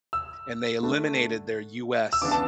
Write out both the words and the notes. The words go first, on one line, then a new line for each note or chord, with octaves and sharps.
and they eliminated their US
E6
D3 A3 D4
E6
C#3 E3 B3 D4 D6
A5